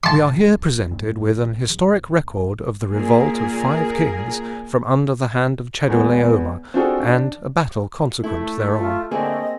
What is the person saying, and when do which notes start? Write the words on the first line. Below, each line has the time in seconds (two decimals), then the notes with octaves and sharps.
We are here presented with an historic record of the revolt of five kings from under the hand of Chedorlaomer, and a battle consequent thereon.
0.04 G#2 D3 A5 C6
0.46 A#1
0.90 F1 G2 A#2
1.36 A1
2.94 A#2 G#4 A#4
5.88 E2 G#3 B3
6.74 C4 D4 F4 F#4 G#4 A4
7.02 D4
8.24 A3 E4
8.78 F4
9.11 D3 A3 A#3 C4 G#4 D#5